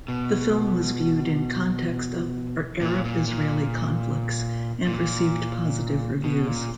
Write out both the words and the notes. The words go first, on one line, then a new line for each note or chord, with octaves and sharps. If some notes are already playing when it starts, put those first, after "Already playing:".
The film was viewed in context of Arab-Israeli conflicts, and received positive reviews.
B2
A#2
A#2
A#2
A#2
B2
A#2